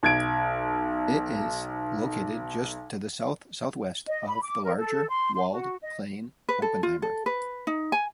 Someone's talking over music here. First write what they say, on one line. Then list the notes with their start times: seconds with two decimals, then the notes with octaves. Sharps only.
It is located just to the south-southwest of the larger walled plain Oppenheimer.
0.03 B1 G#6 D7
4.07 D#5
4.27 B5
4.42 D6
4.64 A#4
4.78 A4
5.10 C6
5.35 C6
5.51 F#4
5.82 D#5
6.49 B4
6.62 A4
6.83 F4
7.02 A4
7.26 B4
7.67 D#4
7.92 G#5